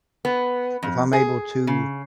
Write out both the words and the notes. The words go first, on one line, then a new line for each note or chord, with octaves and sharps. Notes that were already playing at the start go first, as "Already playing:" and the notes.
If I'm able to
B3
F2
G#4
C#3